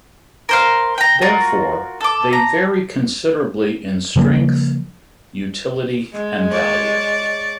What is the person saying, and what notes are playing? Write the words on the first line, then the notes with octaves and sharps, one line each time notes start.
Therefore, they vary considerably in strength, utility, and value.
A#4 C5 F5
G5 A#5
F4 F#4 A#4
A4 D6
A#5
C#3 F3 G3 A#3
G#3
C#5 D5